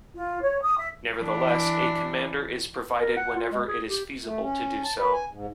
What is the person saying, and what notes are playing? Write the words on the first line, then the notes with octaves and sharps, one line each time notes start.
Nevertheless, a commander is provided whenever it is feasible to do so.
F4
C#5
D#6
E5
E3 D4
A#4
F#5
F4
G#3
G#4
G4
A3
C#4
A5
B4
G#5
G#2